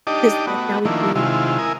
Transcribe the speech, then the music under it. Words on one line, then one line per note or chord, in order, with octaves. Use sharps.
'cause, like, now we do
D4 D#4 G4 D#5 A5 D6
A3 B3 F#4
D#3 F3 A3 A#3 D4 E4
C3 D#3 G#3 E4 F4
E4 A#4 G#5 D#6